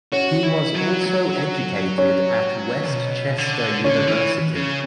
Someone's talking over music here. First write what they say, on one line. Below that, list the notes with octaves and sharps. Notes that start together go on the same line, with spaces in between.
He was also educated at West Chester University.
C#4 F#4
E4
F#3
F#3
C#4
B2
D3
D3 C#4
E3
C#3